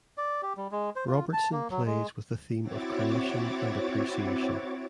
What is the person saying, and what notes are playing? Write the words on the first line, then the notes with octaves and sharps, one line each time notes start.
Robertson plays with the theme of creation and appreciation.
D5
G4
G3
G#3
C5
F4
A5
A#3
F#3
G#3
C4 E4 F#4 C#5 D6 A6